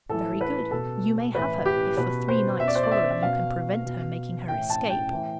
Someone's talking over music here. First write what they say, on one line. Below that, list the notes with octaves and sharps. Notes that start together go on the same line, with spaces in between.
Very good; you may have her if for three nights following you can prevent her making her escape.
A2 E3 A4
B4
B2 A4
A2 E3 B4
G4
B2 B4
C5
B2 E5
D5
C5
D5
E5
E5
B2 F5
B2
A2 E3 G5
A5
G5
A2 E3